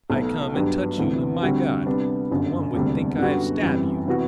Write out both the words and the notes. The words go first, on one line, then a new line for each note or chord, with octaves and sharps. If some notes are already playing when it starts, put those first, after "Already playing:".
I come and touch you, and, my God!--one would think I have stab you.
B1 B2 A3
G2 F#3 B3 D4 G4
D2 C3 E3 B3
D2 D3 G3 C4 F#4
C3 G3 B3 D4
G1 F#2 D3
E1 D2 C3 G3 D4
F#2 D3 G3 B3 F#4
F#2 E3 G3 C4
C3 E3 B3 F#4